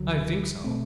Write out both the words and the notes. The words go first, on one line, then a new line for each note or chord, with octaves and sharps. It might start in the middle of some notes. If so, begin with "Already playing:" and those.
"I think so."
Already playing: D2 D3 F#3
B2 A3 C4